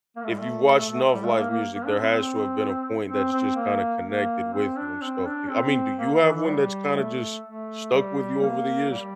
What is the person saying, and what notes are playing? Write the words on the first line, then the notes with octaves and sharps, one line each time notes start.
If you've watched enough live music, there has to have been a point that's just kinda connected with you and stuff, do you I mean, do you have one that's kinda just stuck with you over the years?
A#3
A3
G3
A3
G3
A3
A#3
A#3
A#3
D4
C4
C4
C4
C4
A#3
A#3
C4
D4
C4
D4
C4
A#3
E3
E3
G3
A3
A3
G3
A#3
G3